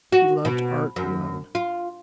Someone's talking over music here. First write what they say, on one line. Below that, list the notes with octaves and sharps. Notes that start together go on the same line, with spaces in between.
He loved art alone.
F#4
B2
F#2
F4